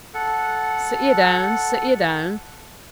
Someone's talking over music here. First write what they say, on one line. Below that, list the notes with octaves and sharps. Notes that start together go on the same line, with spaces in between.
'Sit ye down, sit ye down.
A4 F#5